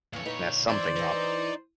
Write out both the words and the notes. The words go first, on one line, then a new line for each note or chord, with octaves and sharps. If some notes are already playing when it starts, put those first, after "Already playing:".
mess something up
F2 A#2 E3 C#5
D#4 B4
E3 E4 C5 D5
E3 D#4 B4